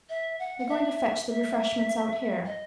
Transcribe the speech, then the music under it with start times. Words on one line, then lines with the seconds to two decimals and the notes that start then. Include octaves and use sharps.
"They're going to fetch the refreshments out here."
0.09 E5
0.39 F#5
0.59 F#5
0.69 E5
1.28 E5
2.46 D#5